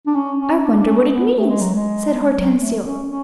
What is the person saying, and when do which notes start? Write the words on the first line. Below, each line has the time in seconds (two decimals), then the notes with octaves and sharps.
"I wonder what it means," said Hortensio.
0.07 D4
0.15 C#4
0.39 C#4
0.64 D4
0.80 D4
0.88 C#4
1.12 B3
1.37 A3
1.50 G#3
1.61 F#3
1.74 G#3
2.36 F#3
2.59 A3
2.85 C#4
3.08 C#4